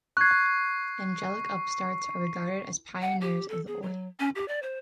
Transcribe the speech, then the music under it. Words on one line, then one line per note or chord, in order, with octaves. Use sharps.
Angelic Upstarts are regarded as pioneers of the Oi!
C#6 F#6 G#6 C7
F#5
G4
A4
G#4
F#3
C#4
G4
D5
C5